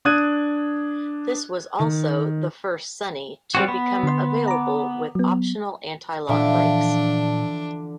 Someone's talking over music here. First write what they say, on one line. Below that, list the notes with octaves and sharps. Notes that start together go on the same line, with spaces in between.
This was also the first Sunny to become available with optional anti-lock brakes.
D4 D#6 F#6 G#6 D#7
D#3
G3 C4 F#4
B3
D3 C6
A#5 D6
F#3 B3
A#2 D3 E3 F3 D4 E5 F5